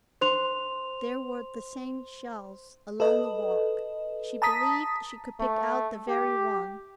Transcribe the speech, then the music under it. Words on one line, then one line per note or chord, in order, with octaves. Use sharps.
There were the same shells along the walk; she believed she could pick out the very one.
C5 C6 F7
A4 B4 D#5
A5 A#5 D#6 B6
A3
G4